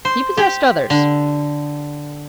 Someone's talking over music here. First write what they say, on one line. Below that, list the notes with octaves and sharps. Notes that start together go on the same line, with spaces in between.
He possessed others.
C5
G4
D3